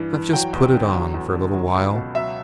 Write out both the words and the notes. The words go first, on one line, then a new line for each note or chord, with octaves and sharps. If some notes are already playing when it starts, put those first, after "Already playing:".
I've just put it on for a little while.
Already playing: G2 E3
E3
F#3 G5
E2
D3
F#3
E2
D3
F#3
C#2
B2
F#3 E5